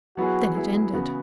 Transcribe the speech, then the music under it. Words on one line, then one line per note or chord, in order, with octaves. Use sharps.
Then it ended.
F#3 B3 E4 F#4 G#4
F#3 B3 E4 G#4
C#3 E3 B3 F#4